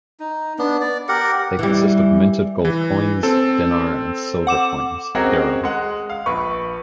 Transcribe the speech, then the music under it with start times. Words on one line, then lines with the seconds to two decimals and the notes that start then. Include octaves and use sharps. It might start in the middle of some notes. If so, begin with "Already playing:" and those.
They consist of minted gold coins, dinar, and silver coins, dirham.
0.20 D#4
0.59 B3 D4
0.81 D5
1.08 G4 A#4 F#5
1.59 E3 G3
2.65 E3
3.23 C4 A4
4.47 F#5 D6 E7
5.15 C4 C#4 F#4 G#4 A#4 D#5
5.64 G#3 F#5
6.10 F5
6.26 A#1 B4 C#6